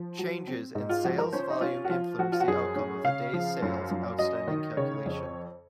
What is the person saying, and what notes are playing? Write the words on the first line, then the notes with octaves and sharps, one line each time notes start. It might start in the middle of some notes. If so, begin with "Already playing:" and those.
Changes in sales volume influence the outcome of the days sales outstanding calculation.
Already playing: F3
F#3
C4
G#2 D#4
F4
F3 F#4
A#4
C#4 C5
D#4
C#4 F4
F#4
F3 F4
F3 F#4
F4
F#4
F#2 G#4
C#4
C#3 F5
F3
F#2
F#2
F#3 D#5
D#3
C#3 C#5
F2